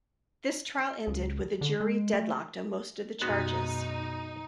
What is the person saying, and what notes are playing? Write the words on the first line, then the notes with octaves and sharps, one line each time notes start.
This trial ended with a jury deadlocked on most of the charges.
C#2
D3
G#3
A3
F#2 B2 G#3 B3 D#4 F#4